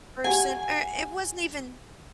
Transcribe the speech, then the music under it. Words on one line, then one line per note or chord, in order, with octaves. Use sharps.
person, or it wasn't even
G4 F#5 G#5